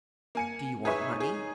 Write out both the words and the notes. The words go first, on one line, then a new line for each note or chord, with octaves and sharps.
"Do you want money?"
A#3 G#5 C#7
D#4 G#4 B4 C#5 E5 C#6
G#4